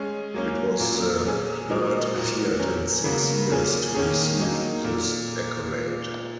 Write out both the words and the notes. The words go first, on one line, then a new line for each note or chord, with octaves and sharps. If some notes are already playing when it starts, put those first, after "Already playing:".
It was the third Fiat in six years to receive this accolade.
Already playing: G#3 C#4 G#4
F#3 A#3 C#4
A#2 F#3 A#3
F#3 C#4 G#4
A#2 F#3 D#4 A#4
A#2 A#3 F#4
F#3 C#4 A#4
C#3 A#3 F#4 A#4
A#2 A#3 C#4 G#4
D#3 A#3 C#4 G#4
F#3 A#3 D#4
A#2